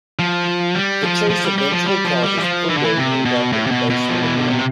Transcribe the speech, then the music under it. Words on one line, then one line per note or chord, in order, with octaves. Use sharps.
The chase eventually causes Pluto to end up in the basement again.
F3
G3
F3
F3
G3
G3
F3
G3
F3
G3
E3
F3
E3
D3
E3
C3
B2
A2
C3
B2
B2
F3
E3
D3
C3